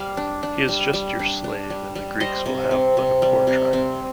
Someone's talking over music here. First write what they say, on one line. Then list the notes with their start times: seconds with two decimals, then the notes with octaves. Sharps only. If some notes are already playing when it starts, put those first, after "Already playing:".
He is just your slave and the Greeks will have but a poor triumph.
Already playing: G3 D5 F5
0.17 D4
0.43 D4
0.68 G3
0.93 G3
1.19 D4
1.44 D4
1.70 G3
1.95 G3
2.20 G3 C5 D#5
2.46 C3
2.71 C4
2.97 C3
3.22 G3
3.47 C3
3.73 C4